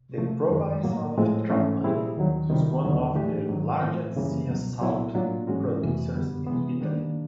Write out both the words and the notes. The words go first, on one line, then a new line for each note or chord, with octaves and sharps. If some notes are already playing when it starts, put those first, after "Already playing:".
The Province of Trapani is one of the largest sea salt producers in Italy.
C3 F3 A3
F#2 D#3 G#3
A2 F#3 A#3
A2 F3 G#3 C4
G#2 E3 A3 C#4
A#2 G3 C4 E4 G#4
D#2 D#3 F#3
C2 C3 D#3 G3
D#2 D3 F#3
A2 E3 A3 D4 G4
G#2 D#3 F#3
A2 E3 A3 C4
F#2 C#3 E3 G3 A#3
C#2 B2 F#3
C2 A#2 F#3 B3 E4
A2 F#3 A#3 D4 F4
G#2 E3 G#3 C#4 F#4
F2 C3 E3 A3
F#2 D3 G3 B3
C3 E3 G#3 B3
D#3 G3 A#3 D4